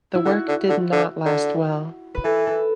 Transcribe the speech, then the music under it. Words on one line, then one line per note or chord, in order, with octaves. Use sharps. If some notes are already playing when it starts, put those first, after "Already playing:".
The work did not last well.
E4
D3 F#4
D3
D3
D3
D3
B4
E3 A4
A4